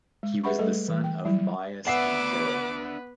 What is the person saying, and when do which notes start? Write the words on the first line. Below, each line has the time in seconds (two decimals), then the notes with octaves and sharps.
He was the son of Bias and Pero.
0.23 G#3
0.44 G#4 B4 E5 F#5 B5 C#6
0.58 G3 A3 A4 D#5
0.88 E3
1.04 G5
1.25 F#3 G3 E4
1.87 B3 D4 B4 E5 F#5 D6 C7